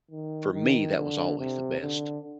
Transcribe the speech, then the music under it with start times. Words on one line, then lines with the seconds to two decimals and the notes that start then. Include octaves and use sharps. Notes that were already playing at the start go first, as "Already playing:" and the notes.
For me, that was always the best,
0.11 D#3
0.53 D#3
0.96 D3
1.39 C3
1.81 D3